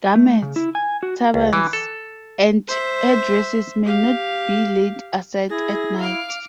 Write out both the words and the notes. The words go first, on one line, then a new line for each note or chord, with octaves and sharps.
Garments, turbans, and headdresses may not be laid aside at night.
A3
C#3
E4
G#5
F#4
C#2
E3
A4
C5 E5
G4 F5
E4 G#4 A#6
F5 D6 F6